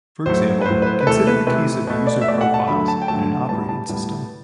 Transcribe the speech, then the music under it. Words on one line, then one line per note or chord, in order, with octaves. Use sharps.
For example, consider the case of user profiles in an operating system.
A2 F#3 A3 C5
B4
A2 F#3 A3 C5
B4
C5
B4
C3 E3 A3 A4
B4
C3 E3 A3 B4
B2 A3 B4
D5
E5
B2 A3 D5
F#5
A5
D3 F#3 A3 B5
A5
G5
D3 F#3 A3 A5
A2 G3 B3 A5
A5
A2 G3 B3